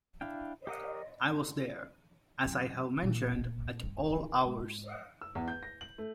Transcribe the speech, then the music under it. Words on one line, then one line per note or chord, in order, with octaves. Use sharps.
I was there, as I have mentioned, at all hours.
D4 E4 F5 G5
G4 A#4 D#5
F#2 C#3
A#2
G2
D#3
G#2
E6
E2
G6
A#6
F#7
A3